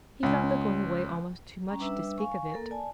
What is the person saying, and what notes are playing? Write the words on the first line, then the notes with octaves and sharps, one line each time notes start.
He felt the going away almost too much to speak of it.
C#2
G3 C#4 A#5
G3 D4 B4 E5 E6
F5 G#5 C#6
A#3 A4 A#4
D5 G#5 A5